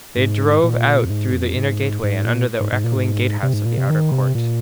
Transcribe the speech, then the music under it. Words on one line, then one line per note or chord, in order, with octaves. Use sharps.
They drove out through the inner gateway and under the echoing gatehouse of the outer court.
G#2
A#2
F2
G#2
F2
G#2
G#2
A#2
G#2
G#2
A#2
G#2
C3
G#2
A#2
C3
D#3
C3
A#2